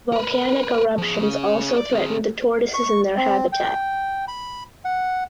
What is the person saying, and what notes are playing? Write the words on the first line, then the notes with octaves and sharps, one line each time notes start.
Volcanic eruptions also threaten the tortoises and their habitat.
A#4 B4
F3 G#4
C#4 G#4
D5
C4 G#4
C#6
C4
G5
B5
F#5